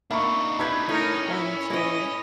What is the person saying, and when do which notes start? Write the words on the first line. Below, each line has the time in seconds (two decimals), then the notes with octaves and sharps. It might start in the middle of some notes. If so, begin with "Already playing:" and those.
and to
0.11 A#3 D4 D#4 E5 B5 C#6
0.59 E4 G4 B4 B5 G#6
0.89 A2 C#4 D#4 A#4
1.30 E4
1.70 E3 E4 D#5